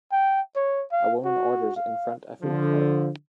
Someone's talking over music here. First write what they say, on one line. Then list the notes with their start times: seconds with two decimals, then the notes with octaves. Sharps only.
A woman orders in front a food cart.
0.12 G5
0.56 C#5
0.92 F5
1.24 F#4
1.76 F5
2.43 D3 F3